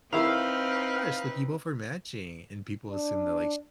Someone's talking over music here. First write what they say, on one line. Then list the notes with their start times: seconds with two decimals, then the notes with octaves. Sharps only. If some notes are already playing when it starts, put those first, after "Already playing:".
"Oh my gosh, like, you both are matching." And people assume that, like, she
0.12 D#3 C4 D#4 E4 B4 F5
2.90 D4